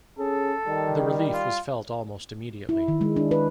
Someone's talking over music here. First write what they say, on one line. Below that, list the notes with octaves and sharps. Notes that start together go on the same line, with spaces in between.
The relief was felt almost immediately.
C#4 G#4 A4
D#3 G3
F4
E4
D#3
G#3
D4
B4